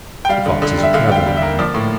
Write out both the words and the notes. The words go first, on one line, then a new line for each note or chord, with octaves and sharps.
The fox is a travelling animal.
G5
G3 F5
D3
D3
G3
E5
D3 F5
G3 G5
F5
G3
A#3 E5
F3 D5
A2